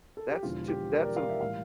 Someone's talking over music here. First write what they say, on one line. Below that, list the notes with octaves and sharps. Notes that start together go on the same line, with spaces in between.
that's to that's a
A4
G4
E1 E2 D3 F3 F4
G4
A#4
D5
F5
E5
A2 E3 G3 F5